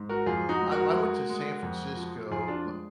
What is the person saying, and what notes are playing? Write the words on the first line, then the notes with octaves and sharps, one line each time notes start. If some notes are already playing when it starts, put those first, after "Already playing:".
I I went to San Francisco,
Already playing: G#2
F#4 A#4
F2 F4 G#4
D#4 F#4
G#3
F#4 A#4
G#3
G#3
F2
F3
F2 F4 G#4
D4 F4
G#3